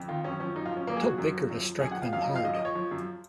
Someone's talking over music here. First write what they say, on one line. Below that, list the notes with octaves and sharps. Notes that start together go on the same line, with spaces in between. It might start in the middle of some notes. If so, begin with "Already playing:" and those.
Tell Baker to strike them hard.
Already playing: F2
D#3 F4
F#2 C#4
F3 C#4
F#2 D#4
F4
F3
C#4
F#2 A#3
G#4
F3 F#4
F#2
F3
F#2
F3
F#2 G#4
F#5
F3
F5
F#2 F5
D#5
F3
F5
F#2 D#5
D#5
F3 C#5
F3
F#2